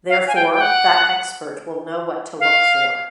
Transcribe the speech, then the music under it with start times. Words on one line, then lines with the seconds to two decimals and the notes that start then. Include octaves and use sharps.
Therefore, that expert will know what to look for.
0.09 F5
0.28 G#5
0.35 G5
0.53 G5
0.61 F#5
2.40 F5